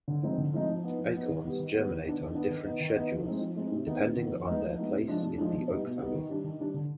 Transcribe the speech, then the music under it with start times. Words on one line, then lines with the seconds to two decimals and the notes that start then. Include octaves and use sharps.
Acorns germinate on different schedules, depending on their place in the oak family.
0.08 D3
0.22 F3 G#3 C4 D#4
0.38 D3
0.53 F3 G#3 C4 D#4
0.69 F3
0.84 B3 D#4
0.98 F3
1.14 B3 D#4
1.29 D#3
1.44 G3 B3
1.59 D#3
1.74 G3 B3
1.90 D#3
2.05 B3 D4
2.20 D#3
2.34 B3 D4
2.50 D#3
2.65 B3 D#4
2.80 D#3
2.95 B3 D#4
3.11 F3
3.26 G#3 C4 D#4
3.41 F3
3.56 G#3 C4 D#4
3.72 C3
3.87 D#3 B3 D#4
4.01 C3
4.17 D#3 B3 D#4
4.32 F3
4.47 G#3 B3 D#4
4.62 F3
4.77 G#3 B3 D#4
4.93 C3
5.08 F3 G#3 D4
5.23 C3
5.38 F3 G#3 D4
5.54 B2
5.68 G3 B3 D#4
5.83 B2
5.99 G3 B3 D#4
6.14 D#3
6.29 G3 D4
6.44 D#3
6.59 G3 D4
6.74 D3